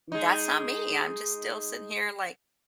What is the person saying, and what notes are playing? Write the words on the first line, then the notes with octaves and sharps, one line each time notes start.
that's not me, I'm just still sitting here, like,
G#3 D#4